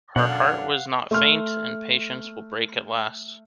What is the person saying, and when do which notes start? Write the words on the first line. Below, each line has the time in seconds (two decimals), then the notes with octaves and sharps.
Her heart was not faint, and patience will break at last.
0.16 F#2 B2 D3 D4 F5 F#5
1.11 A3 C6 F6